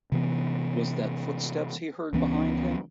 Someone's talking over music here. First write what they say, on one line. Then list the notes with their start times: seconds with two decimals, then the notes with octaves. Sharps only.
Was that footsteps he heard behind him?
0.12 C3 E3 B3
2.13 C#2 E3 B3 C#4